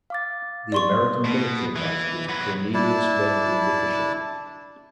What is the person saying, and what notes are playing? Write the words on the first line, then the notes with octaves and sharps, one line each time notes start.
The American military advisor was Cornelius Wendell Wickersham.
F5 D6 A6
D5 C6 C#6
B2
E3
F#3 B4
D4 E4 A5